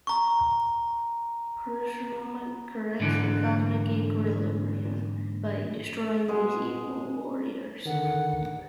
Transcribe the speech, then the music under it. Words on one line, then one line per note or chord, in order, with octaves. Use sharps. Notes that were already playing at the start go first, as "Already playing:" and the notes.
Parashurama corrects the cosmic equilibrium by destroying these evil warriors.
A#5 C#6
G#2 D3 E3
B2 G#3 G#4
D3 D#3 F#5